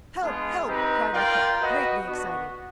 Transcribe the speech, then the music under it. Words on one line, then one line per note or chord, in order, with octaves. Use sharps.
"Help! help!" cried Lecoq, greatly excited.
G#3 B3 D4 F4 G#4
C4 D#4 G4 B4 D#5
F4 A#4 D5 G5
F#4 B4 D#5 F#5
B3 D4 F#4